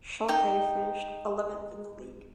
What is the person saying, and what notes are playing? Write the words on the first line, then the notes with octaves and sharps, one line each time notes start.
Schalke finished eleventh in the league.
D#4 G5